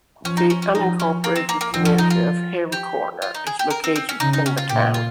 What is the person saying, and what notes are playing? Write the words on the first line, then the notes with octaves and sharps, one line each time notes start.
The unincorporated community of Hale Corner is located in the town.
F3 C#4
D#4
C#4
C#4
F3 D#4
C#4
A#3
C4
A#3
A#3
F3 C4
C#4
D#4
F4
G4
F4
D#4
G#4
G4
A#4
C4
C4
C#4
C#3 D#4
D#4
C#4
F4
A#2 G4
F4